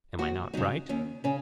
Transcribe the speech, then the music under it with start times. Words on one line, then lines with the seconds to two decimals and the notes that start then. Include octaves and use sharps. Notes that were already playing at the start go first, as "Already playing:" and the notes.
Am I not right?
0.18 D#2 F#4
0.53 C#3 F#3 D#4
0.89 D#2 C#4
1.24 C#3 C#4